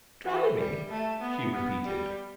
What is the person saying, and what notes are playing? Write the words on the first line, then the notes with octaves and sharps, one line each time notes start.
"Try me," she repeated.
E3
G3
A3
B3
B3
G3